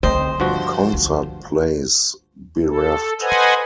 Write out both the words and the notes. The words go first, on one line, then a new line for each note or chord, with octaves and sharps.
Concert place: Bereft.
D2 C4 C5 D#5
G2 F3 F#4
D2
A4
B4 C5 D#5 F#5 G#5